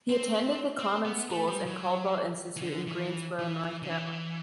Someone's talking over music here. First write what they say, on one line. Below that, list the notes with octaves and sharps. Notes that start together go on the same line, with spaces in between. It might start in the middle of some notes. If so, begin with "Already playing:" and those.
He attended the common schools and Caldwell Institute in Greensboro, North Carolina.
C4
C4
B3
A3
G3
F#3
E3
D3
E3
E3
D3
E3